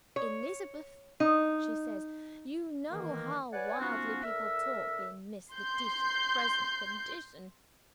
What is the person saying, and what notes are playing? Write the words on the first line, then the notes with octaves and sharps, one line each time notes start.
'Elizabeth,' she says, 'you know how wildly people talk in Miss Letitia's present condition.
C#5
D#4
D#3 E3 A#3
B4 C#5 D5 F#5 G#5
F3 B3 C#4 D#4 F4 F#4
D3 A#4 E5 E6
C6 G6